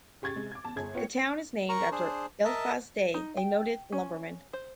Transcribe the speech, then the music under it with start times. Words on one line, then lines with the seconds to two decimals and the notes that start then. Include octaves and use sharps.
The town is named after Eliphaz Day, a noted lumberman.
0.22 C#3 G4 C#6 G#6 A6
0.36 C3 G#3
0.52 D6 G#6
0.65 E2 A5
0.76 G1 G#4 G#6
0.94 B3 F4 C#5 G5 C#7
1.69 A#4 A#5 C#6
1.92 D4 G#4 C5
2.45 A#4 D#5 E5 A5
3.14 D#4
3.37 G5
3.92 C#4
4.53 C5